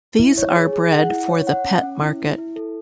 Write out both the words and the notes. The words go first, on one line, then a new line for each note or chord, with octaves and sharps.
These are bred for the pet market.
E4
C#5
G#4
G#4
F#5
E4
C#5
F#5
C#4
C#4
E4
E4
E4
A4